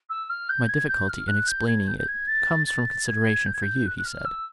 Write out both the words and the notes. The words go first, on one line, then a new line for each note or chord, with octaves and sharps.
"My difficulty in explaining it comes from consideration for you," he said.
E6
F6
G6
G#6
G6
F6
F#6
G6
G#6
G6
G6
G#6
A6
A6
G#6
G6
G#6
G6
F#6
F#6
F6
E6